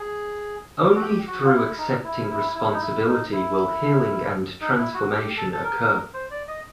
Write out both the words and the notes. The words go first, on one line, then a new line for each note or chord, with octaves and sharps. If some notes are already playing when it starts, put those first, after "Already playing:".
Only through accepting responsibility will healing and transformation occur.
Already playing: G#4
F#4
G4
F#4
F4
E4
D#4
E4
E4
E4
D#4
E4
D#4
E4
D#4
E4
F#4
G4
A4
A4
A#4
C5
D5
D#5